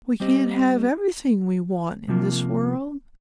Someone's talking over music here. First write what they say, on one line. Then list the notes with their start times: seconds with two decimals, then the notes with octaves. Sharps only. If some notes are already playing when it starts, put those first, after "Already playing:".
"We can't have everything we want in this world."
0.20 G3 C4 G4 C5 D#5
2.08 C2 C3 F3 A#3